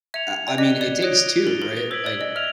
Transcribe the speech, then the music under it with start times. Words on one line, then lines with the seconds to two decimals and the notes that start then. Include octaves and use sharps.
I I mean, it takes two, right, like
0.14 E5 G#6 C#7 F7
0.48 D5
0.58 D#5 D6 F#6 B6 D#7 G7
0.81 D5
1.02 C#5 D#6 F#6 A#6 D7
1.47 A#4 A6 D7 G7
1.62 A#4
1.77 B4
1.91 C5 E6 G#6 B6 D7 F#7
2.06 D5
2.21 D#5
2.36 E5 F6 G#6 F7